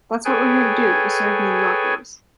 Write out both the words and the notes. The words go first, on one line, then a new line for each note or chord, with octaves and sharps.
That’s what we’re here to do, to serve New Yorkers.
G#4 A4 B4 C#5 G5 G#5